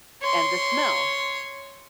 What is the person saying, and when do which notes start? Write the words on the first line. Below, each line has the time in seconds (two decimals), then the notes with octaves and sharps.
And the smell.
0.22 C#5 C6